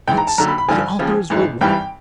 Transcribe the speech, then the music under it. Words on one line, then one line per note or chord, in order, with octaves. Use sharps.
That's the author's reward.
A#1 G#2 E3 G5
A#5
A5
D#2 D3 F#3 A#5
B5
B5
G2 D3 F3 G#5
D#2 C#3 F3
A1 G#2 E3
G#1 G2 E3 G3 G5